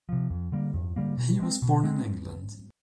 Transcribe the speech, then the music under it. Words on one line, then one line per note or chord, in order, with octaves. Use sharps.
He was born in England.
C3 F3
F2
D3 G3 A#3
F2
D3 G3 A#3
B2
G#3 C4
B2
G#3 C4